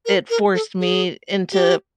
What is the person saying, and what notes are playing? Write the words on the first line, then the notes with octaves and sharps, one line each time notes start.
it forced me into
A#4
A#4
A4
G#4
G4